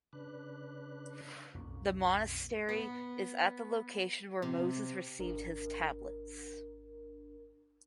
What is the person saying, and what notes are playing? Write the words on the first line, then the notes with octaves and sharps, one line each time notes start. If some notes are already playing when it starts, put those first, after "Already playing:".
The monastery is at the location where Mosses received his tablets.
C#3 D4 B4 F#6
B1 F2 A#3 C#4
B3
C3
G#1 D4 A#4